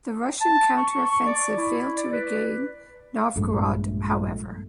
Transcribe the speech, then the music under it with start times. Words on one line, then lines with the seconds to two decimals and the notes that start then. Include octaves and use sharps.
The Russian counter-offensive failed to regain Novgorod, however.
0.41 A5
0.77 C#6
0.90 C#6
1.05 C#6
1.26 D5
1.57 E4
1.96 D5
2.13 B4
3.36 A#1 G2 G#3 A3